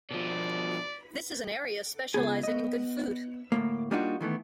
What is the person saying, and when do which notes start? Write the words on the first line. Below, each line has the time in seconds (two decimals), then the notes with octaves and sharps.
This is an area specialising in good food.
0.11 B2 F3 D5
2.14 C#2 B3 G#4
2.43 B3 D#5
3.52 D2 A2 A#3
3.91 G3 A#3 D4 D#4 F4 F#4
4.21 D#3 E3 A3 B3